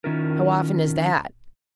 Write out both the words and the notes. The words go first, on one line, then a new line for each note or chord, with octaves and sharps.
"How often is that?"
D#3 C#4 E4 F4 A#4